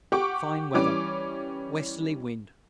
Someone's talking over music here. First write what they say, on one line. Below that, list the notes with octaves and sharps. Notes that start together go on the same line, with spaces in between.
Fine weather: westerly wind.
G4 F#5 C#6 D6
E3 G3 C#4 D6